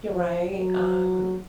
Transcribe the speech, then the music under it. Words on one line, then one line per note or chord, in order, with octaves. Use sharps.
You're right, um,
F3
F#3